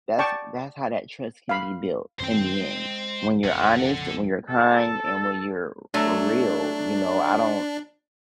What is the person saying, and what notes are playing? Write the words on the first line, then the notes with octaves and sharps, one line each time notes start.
that's that's how that trust can be built in the end. When you're honest, when you're kind, and when you're r real, you know, I don't
D5 G5 A5 C#6
F5 B5
F#2 D#3 C4 C5 G5
G#3
A#1 F2 A4 F#5
A4
F#3 A3 D4